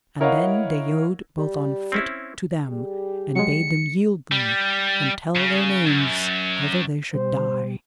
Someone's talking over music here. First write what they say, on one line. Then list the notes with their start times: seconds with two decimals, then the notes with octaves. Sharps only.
And then they yode both on foot to them, and bade them yield them, and tell their names outher they should die.
0.20 E4 A#4 C#5 D#5 F5 F#5
1.38 G3
1.92 C4 C#4 E4
2.68 G3 G4 G#4
3.35 F#3 G#3 C#7
4.32 G3
5.35 C#3
5.86 F#2
7.14 B2 G3 C5